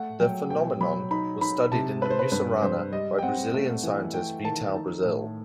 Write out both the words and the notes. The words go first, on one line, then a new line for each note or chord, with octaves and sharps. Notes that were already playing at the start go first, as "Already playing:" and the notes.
The phenomenon was studied in the mussurana by the Brazilian scientist Vital Brazil.
Already playing: A3 F#5
F#3 G5
B2 G5
F#3 B5
D#4 B5
D#4 B5
C3 A5
C4 B4
C5
B4
G2 B4
G2 C5
G3 D#5
G5
C4 F#5
A3
E3
A3 G5
D#3 A5
D#4
A2